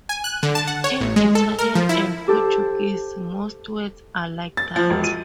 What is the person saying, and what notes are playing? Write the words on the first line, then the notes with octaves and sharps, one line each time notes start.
In Italian and Portuguese, most words are like that.
G#5
F#6
D3
A5
F#5
C#5
A1
G#3
A4
A#4
F3
E4
G4 A4 C5
A6
F3
E1
D#7